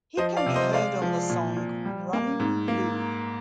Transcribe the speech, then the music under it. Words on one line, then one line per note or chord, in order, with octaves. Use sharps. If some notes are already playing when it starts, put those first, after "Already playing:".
He can be heard on the song "Runnin' Blue".
F3 C5 D#5
D5 F5
C3
C5 D#5
G#3 D5 F5
F3
A#2
A#2
G3
A#3
G#2
A#3